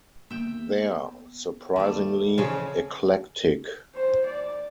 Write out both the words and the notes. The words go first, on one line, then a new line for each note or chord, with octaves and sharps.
They're surprisingly 'eclectic.
A#3 B3 E5 G5
D#2 G3 A3
C#3 E3 F3 C#4
C5
D5